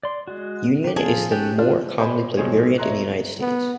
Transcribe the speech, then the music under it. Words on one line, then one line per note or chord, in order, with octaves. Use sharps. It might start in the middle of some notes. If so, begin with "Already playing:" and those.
Union is the more commonly played variant in the United States.
D5 C6
G#3 F#4
D#3 G4
F3 C4 F4 G#4 A5
C#4 G4 F#5 A5
D4 F4 B4 F6
C5 D5 D#5 G#5 B5
B1 F#3 D#4 G#4 C5 C#5
C#5 D#5 E5 A#5 C6 F#6
B3